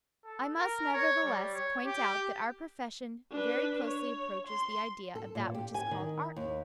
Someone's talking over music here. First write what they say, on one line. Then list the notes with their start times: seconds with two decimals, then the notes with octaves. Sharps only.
I must nevertheless point out that our profession very closely approaches the idea of that which is called art.
0.24 A4
0.58 A#4
0.93 C#5
1.24 G3
1.54 C#5
1.85 G4
3.31 D4 B4
3.84 C#5
4.47 C6
5.15 A4
5.35 A#2
5.54 G4
5.74 G#5
5.91 D#3
6.36 D#2